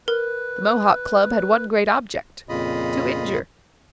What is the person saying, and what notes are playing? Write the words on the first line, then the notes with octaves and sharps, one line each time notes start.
The Mohawk Club had one great object--to injure.
A#4 B4
F2 A#2 C#3 F4 D#5 B5